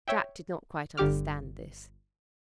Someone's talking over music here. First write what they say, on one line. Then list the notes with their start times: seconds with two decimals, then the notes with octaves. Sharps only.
Jack did not quite understand this.
0.08 C#5 E5 G5
0.97 G1 D3 G4 D6 F6